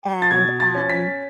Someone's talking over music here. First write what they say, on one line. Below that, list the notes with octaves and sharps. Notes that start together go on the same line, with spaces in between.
and, um,
A6
B2 G#6
A6
C#4
B6